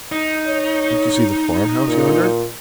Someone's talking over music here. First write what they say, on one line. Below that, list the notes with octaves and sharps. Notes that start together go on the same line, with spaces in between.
Don't you see the farm-house yonder?
D#4
C#5
A#2